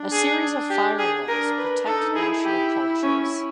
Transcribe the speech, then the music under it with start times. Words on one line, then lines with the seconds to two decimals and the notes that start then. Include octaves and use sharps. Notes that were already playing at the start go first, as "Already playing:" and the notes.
A series of fire-walls protect national cultures.
Already playing: D4
0.12 G#4
0.70 G4
0.99 G#4
1.28 D4 A#4
1.58 B4
1.87 D#4 A4
2.16 E4 G#4
2.45 G4
3.03 C#4